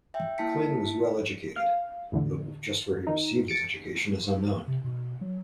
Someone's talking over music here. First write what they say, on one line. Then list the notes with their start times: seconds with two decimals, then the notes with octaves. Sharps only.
Clyn was well educated, though just where he received his education is unknown.
0.14 E5 G5
0.38 A#3 E4 A5 B6 C#7
1.56 F5
2.12 E2 A2 D3
3.07 D#3 D#4
3.48 A6 C#7 D7
4.68 C3
4.84 B2
5.21 F#3